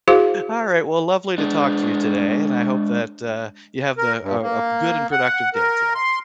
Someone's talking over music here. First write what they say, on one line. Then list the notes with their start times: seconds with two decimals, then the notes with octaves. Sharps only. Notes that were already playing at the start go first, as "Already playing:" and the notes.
Alright, well, lovely to talk to you today, and I hope that, uh, you have the a a good and productive day today.
0.08 E4 F#4 G#4 C5 F5
1.38 G#3 D4
3.98 A#4
4.21 G2
4.42 A#3
5.12 F#5
5.54 A#4
5.95 C6